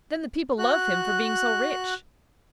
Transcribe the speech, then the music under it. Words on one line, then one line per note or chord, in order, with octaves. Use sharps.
Then the people love him for being so rich.
F#4 F#6